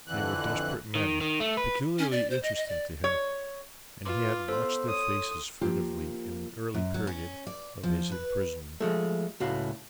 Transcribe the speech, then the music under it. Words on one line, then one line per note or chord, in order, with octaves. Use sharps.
They were desperate men, peculiarly interesting to him, and he had watched their faces furtively in the early period of his imprisonment.
F2 D3 E3 F#6
D#3
D#3
A3
B4
C#4
D5
C5
D#5
D#5
D5
C#5
F4 B4 C6 D6
B3 A4 C5 C6 E6
C#5 D#6
F3 A#3 F4 G4 A#4
F#2
F#3
C#4
D5
F3
B4
F3 G#3 A3
C#2 A2 F#4 F5